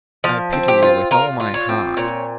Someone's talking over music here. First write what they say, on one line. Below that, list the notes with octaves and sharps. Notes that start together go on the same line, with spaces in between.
'I pity you with all my heart.
F3 F5
C4
G4
F4
F4 A#4
F4
C#5
C4
A#2 C#5